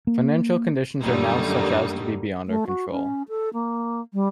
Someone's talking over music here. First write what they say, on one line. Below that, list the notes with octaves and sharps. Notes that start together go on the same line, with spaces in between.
Financial conditions are now such as to be beyond our control.
A#3
F#2 D3 G3 A3 A#3 D#4
A3
F#4
C#4
A4
A#3
G3